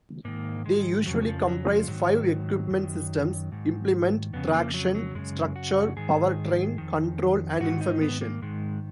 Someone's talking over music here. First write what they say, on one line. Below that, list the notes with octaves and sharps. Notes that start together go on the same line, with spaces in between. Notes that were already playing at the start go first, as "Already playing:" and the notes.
They usually comprise five equipment systems: implement, traction, structure, power train, control and information.
G#2 D#3 A#3
G#3
F2 C#3 F#3
F3
F#3
F3
G#2 D#3 F#3
F#2 D#3
G#2 D#3
F2 C#3 B3
G#3
A#3
F#3
F#3
F#2 C#3 G#3
F#4
G#2 D#3 G#4
F2 D#3
G#2 D#3 F#4
D#4
B3
A#3
G#2 D#3 G#3